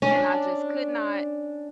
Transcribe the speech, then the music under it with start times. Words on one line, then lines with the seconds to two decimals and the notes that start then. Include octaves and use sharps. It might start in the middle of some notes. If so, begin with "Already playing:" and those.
And I just could not
0.02 C#4 D4